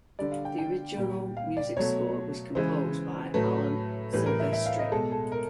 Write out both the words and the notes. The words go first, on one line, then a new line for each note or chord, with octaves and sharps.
The original music score was composed by Alan Silvestri.
D3 G3 D5
F5
G5
G5
A#2 G3
F5
D5
B2 F#3 A3 C#5
C#3 E3 G#3 C5
A2 F#3 A3 B4
A2 E3 G3 B4
A#4
E5
E5
F5
D#5
B2 G#3 A4
A4
A#4